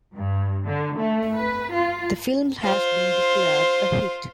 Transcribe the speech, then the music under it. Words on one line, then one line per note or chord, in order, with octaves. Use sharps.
The film has been declared a 'Hit'.
G2
D3
A3
B4
F4
F4 C5